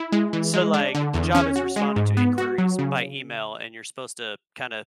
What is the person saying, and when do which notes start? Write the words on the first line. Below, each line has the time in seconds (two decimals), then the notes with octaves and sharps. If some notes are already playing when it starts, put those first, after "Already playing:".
So, like, the, job is responding to inquiries by email and you're supposed to kinda
Already playing: E4
0.12 G#3
0.33 E3
0.54 G#3
0.74 D4
0.95 D3
1.14 E2
1.35 C#4
1.56 F#4
1.76 G#3
1.96 G#2
2.17 B3
2.38 F#4
2.58 F#3
2.79 C#3